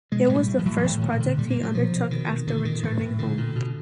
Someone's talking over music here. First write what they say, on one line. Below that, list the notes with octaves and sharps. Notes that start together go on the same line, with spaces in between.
It was the first project he undertook after returning home.
B2 G#3
A2 G3
A2
F3
A2 F#3
F3
A2
E3
A#2 D#3
D#3
A#2 D3
A#2 G3
A#3
A#2
F#3
B2 F3
B2
B2 D#3
B2
A#2 D3
A#2 D#3
A2 E3
A2
A#2 D3
A#2
B2